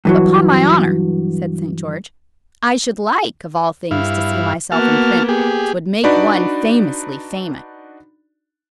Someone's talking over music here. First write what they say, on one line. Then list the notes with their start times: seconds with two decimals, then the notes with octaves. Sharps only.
"But, 'pon my honour," said St. George, "I should like of all things to see myself in print; 'twould make one famously famous."
0.05 G2 E3 F#3
3.91 G2 E4 F5
4.72 A#3 B3 F#4 A5 F6
5.29 G4 G#4
6.04 D4 D#4 F#4 B4 D5 B5